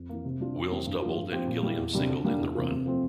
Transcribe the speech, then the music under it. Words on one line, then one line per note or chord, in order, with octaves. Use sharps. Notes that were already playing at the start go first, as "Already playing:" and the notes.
Wills doubled and Gilliam singled in the run.
Already playing: F2
E3 A#3
C3
G3 D4 F4
F2
E3 G3 C4 E4
G2
F3 A#3 F4
G2
F3 C4 G4
A#2
G3 A#3 E4
E2
C3 G3 A#3 D4
D3
G3 A#3 D4
E2
C3 E3 A#3 F4
C3
F3 A3 C4